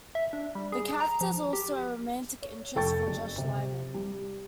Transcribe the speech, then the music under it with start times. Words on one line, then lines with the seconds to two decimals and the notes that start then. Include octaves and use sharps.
The character is also a romantic interest for Josh Lyman.
0.15 E5
0.33 D4
0.55 G3
0.72 G#4
1.00 A#5
1.21 F3
1.53 G4
2.42 C#5
2.75 F1 A4 G5 C#6 A6
3.07 F#1
3.38 C3
3.94 G3